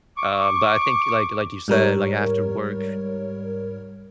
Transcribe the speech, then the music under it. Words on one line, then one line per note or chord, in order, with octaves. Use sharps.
um, but I think like like you said, like after work,
C#6 D6
G#2 G3 A#4 C#5